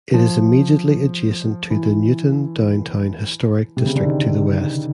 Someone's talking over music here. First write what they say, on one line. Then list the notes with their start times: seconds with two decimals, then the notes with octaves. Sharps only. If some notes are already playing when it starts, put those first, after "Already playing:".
It is immediately adjacent to the Newton Downtown Historic District to the west.
0.14 F3
1.70 E3
3.77 C3
3.86 C#3
3.95 D3
4.05 D#3